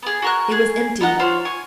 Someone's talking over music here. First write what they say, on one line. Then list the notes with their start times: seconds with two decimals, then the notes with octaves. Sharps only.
It was empty.
0.03 B3 G#4
0.22 F#4 A#4 F#6
0.52 G#4
1.01 B3 D#4 F#5
1.19 F4 C5 C#5
1.45 G#5 C#6